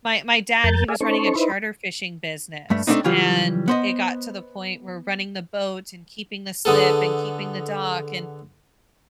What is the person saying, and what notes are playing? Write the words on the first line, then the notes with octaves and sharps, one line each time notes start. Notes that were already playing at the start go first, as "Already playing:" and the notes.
my my dad, he was running a charter fishing business, and it got to the point where running the boat, and keeping the slip, and keeping the dock, and
F2 A#4 G6 A6
G#4 D5 E5 F5 G#5
C#4 D#4 A4 C5 C#6
D#4 E4 B4 C5
G2 A3 E5
A3 A#3 C4 D4 D#4
C#3 E3 F#3 G3 F4 G4
B3 C5 D#5
D3 B3 G#4 A4